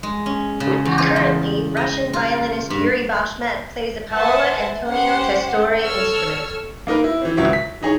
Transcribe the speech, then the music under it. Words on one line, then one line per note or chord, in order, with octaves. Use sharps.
Currently, Russian violist Yuri Bashmet plays a Paolo Antonio Testore instrument.
G#3
C#4
C#3
E2
F4
E2
D#5
F4
G2
B4 C5 E5 F#5 G#5 A5
C#4 G4 C5 F#5
A4 C#5 E6 F6
A#3 D#4 A#4 B4
E4
E3 C4
C#2 F#3 C#5 E5
B6
E3 D#4 G#4 C#5